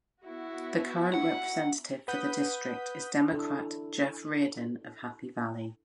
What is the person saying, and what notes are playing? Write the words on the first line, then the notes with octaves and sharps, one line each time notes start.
The current representative for the district is Democrat Jeff Reardon of Happy Valley.
B3 E4 F#4
F#5
B4 F#5 D#6 G6 B6
D4 E4 A4